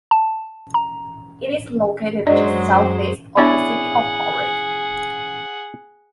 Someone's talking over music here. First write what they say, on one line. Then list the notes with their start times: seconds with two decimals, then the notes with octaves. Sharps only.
It is located just southeast of the city of Ohrid.
0.11 A5
0.74 A#5
2.27 F#2 F#3 G#3 D4 C5 D5 D#5
3.37 B3 D4 E4 G#4 C#5 D5 F#5